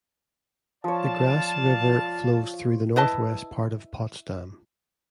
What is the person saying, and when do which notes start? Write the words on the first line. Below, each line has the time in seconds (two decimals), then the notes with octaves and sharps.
The Grasse River flows through the northwest part of Potsdam.
0.84 F3 C#5 D5 F5 A5
2.96 E4 B4 D#5 A5